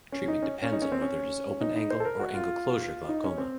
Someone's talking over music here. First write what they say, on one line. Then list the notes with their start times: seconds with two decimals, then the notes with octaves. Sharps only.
Treatment depends on whether it is open-angle or angle-closure glaucoma.
0.12 C#4
0.28 D#4
0.42 C#4
0.62 C#4
0.72 D#4
0.82 C#4
0.92 C4
1.02 C#4
1.61 D#4
1.76 D#4
1.90 C5
2.00 A4
2.05 A#4
2.20 F#4
2.34 F4
3.09 D#4
3.24 C#4
3.38 C4